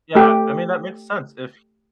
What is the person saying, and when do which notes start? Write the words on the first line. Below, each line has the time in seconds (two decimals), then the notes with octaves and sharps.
Yeah, I mean, that makes sense, if
0.15 A3 G4